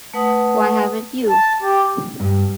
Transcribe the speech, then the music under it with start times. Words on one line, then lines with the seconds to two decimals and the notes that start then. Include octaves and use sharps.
Why haven't you?
0.14 A3 B4 F#5 D#6
1.29 A5
1.62 G4
2.20 G2